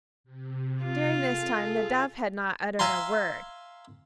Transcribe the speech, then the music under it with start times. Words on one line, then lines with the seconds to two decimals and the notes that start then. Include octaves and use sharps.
During this time the Dove had not uttered a word.
0.24 C3
0.84 F4
1.24 G#4 A4
2.79 E5 F5 G#5 A#5 C6